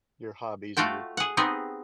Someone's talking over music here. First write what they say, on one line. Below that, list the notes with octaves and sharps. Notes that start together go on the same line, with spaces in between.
your hobbies and your
A3 F4 F#4 G5 A5
G#4 F#5
B3 C4 D#4 G4 G#4